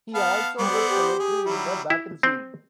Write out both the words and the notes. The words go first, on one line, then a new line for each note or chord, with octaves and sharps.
He also wrote poetry in the battlefield.
B3 F5 A5
G3 B3 C5 D5
A4
G4
G#4
F#3 G3 E4
E4
C4